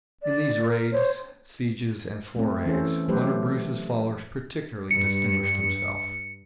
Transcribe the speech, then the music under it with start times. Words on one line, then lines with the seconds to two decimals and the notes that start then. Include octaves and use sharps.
In these raids, sieges and forays one of Bruce's followers particularly distinguished himself.
0.22 D5
0.69 A#4
0.92 C5 C#5
2.36 A3 C4
2.66 E3 C#4 A4 C5
3.08 F#3 A3 G4 B4 C5
4.91 G2 C#7